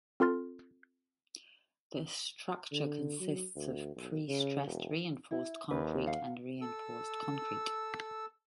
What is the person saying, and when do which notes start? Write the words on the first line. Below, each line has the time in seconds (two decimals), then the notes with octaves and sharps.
The structure consists of prestressed reinforced concrete and reinforced concrete.
0.20 C4 F4 A4 C6 F6 A6
2.72 D3
3.20 F#3
3.55 D2
3.96 B1
4.28 C#3
4.66 E1
5.31 E4
5.71 D#2 B4
6.06 F5 F#5
6.61 A4 E6